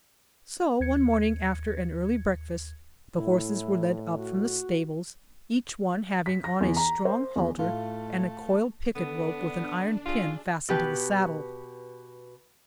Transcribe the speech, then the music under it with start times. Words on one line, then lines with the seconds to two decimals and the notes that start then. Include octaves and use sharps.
So, one morning after an early breakfast, the horses were led up from the stables, each one having on a strong halter, and a coiled picket rope with an iron pin fastened to the saddle.
0.80 D#2 G#6 C#7
3.16 A2 E4
4.16 F#4
6.26 B6
6.44 A#6
6.61 E2
6.77 A#5
7.05 C5
7.36 E2
7.59 A2 A3 F4
8.95 D3 B3 D4
10.05 F4 F#4 G#4 E5
10.69 B2 G4 B4